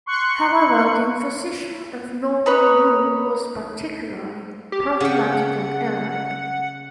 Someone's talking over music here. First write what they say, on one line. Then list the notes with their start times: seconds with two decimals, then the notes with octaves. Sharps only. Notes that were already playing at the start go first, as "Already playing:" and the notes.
However the imposition of Norman rule was particularly problematic at Ely.
0.06 C6 C#6 F#6 C#7
2.46 D#4 B4 C#5
4.72 G4
5.00 C#3 F#5 G5